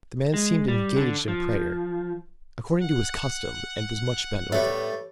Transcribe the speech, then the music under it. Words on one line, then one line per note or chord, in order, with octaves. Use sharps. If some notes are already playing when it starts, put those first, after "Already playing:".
The man seemed engaged in prayer, according to his custom, and was much bent over.
G#3
G3
D3
F3
F#5
A2 G3 A3 B3 C#5